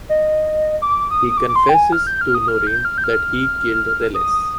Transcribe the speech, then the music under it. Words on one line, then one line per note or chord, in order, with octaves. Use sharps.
He confesses to Noreen that he killed Reles.
D#5
D6
D#6
D6
D6
C6
G5
G#5
F6
G6
F6
D#6
F6
G6
F6
G6
F6
D#6